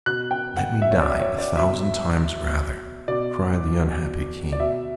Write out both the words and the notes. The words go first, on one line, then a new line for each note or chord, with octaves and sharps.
"Let me die a thousand times rather," cried the unhappy King.
B2 F#6
G5
F#5
E5
C#5
D5
C#5
D5
B2 E5
B2 D5
D5
B2 E5